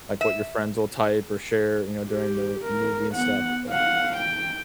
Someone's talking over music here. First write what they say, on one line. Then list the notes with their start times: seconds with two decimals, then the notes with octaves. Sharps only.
like, what your friends'll type or share, you know, during the movie and stuff, so
0.21 E5
2.07 G4
2.65 A#4
3.13 B3 F#5
3.69 F5 F#5
4.17 G5